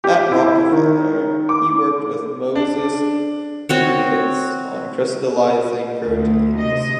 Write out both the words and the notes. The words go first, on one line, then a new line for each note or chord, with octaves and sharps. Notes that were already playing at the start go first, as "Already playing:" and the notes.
At Rockefeller, he worked with Moses Kunitz on crystallising proteins.
G4
E4
D#3
D6
D4
C4 F#4 C#5
D2
C3 D#5